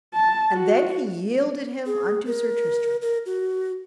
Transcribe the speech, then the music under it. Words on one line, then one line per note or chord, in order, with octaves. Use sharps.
And then he yielded him unto Sir Tristram.
A5
F#4
G#4
A#4
A#4
F#4